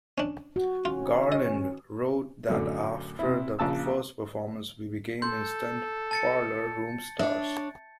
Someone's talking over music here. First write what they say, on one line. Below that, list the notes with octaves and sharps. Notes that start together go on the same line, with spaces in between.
Garland wrote that after the first performance, We become instant parlor room stars.
C#4 D4
F#4
D#3 C#4 F4
D#5
F#2 A2 D3
C3 E4
A#1 C#3 A5 E6
A4 C6 G6
A5 A6 C#7
D4 C#5 E5